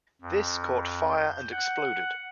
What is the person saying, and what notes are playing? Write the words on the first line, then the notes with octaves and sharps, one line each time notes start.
This caught fire and exploded.
F2
G6
F#5